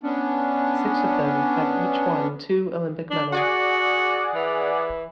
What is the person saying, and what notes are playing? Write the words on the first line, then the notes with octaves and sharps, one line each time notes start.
Six of them have each won two Olympic medals.
B3 C#4 D4
D4
F#4 G#4 D5 F#5
E3